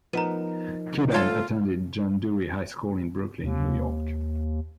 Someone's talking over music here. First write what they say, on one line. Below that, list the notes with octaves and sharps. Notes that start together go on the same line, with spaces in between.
Kidan attended John Dewey High School in Brooklyn, New York.
F3 B3 D#4 A#4 A#5 D#7
D2 F4 A4 C#5 G#6 A6
D#2